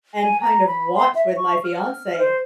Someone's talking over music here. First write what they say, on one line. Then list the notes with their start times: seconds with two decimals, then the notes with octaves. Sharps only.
and kind of watch with my fiance
0.22 G#5
0.41 A#5
0.67 B5
0.96 C6
1.15 E5
1.37 C#6
1.64 F6
2.18 C5